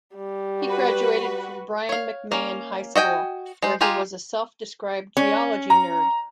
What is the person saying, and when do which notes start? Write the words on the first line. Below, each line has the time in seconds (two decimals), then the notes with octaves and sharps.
He graduated from Brien McMahon High School, where he was a self-described geology nerd.
0.15 G3
0.63 F#4 B4
1.89 C#5 F5
2.32 A#3 C#4
2.96 F#4 D#5 G5 G#5
3.62 G#3 C5
3.81 G#3 F4 G4 A#4 G#5
5.17 C#4
5.70 A#5